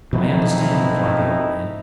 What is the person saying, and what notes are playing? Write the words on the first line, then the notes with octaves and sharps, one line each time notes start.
"I understand," replied the old man.
F2 B2 F3 F#3 D#4 E4